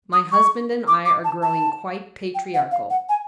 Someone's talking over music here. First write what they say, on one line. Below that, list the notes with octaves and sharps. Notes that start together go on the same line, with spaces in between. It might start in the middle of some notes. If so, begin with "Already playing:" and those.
My husband and I are growing quite patriarchal.
D#6
C#6
D6
D6
A5
A5
G5
F#5
F5
F#5
G#5